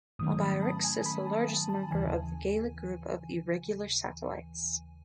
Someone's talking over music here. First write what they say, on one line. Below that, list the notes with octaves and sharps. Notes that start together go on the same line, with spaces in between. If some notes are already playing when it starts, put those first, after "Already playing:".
Albiorix is the largest member of the Gallic group of irregular satellites.
G#2 D#3 F#3 A3 C#4 D#6
B5
A5
G#5
B5
A5
A5
A5
D#2 C#3 E3 G#5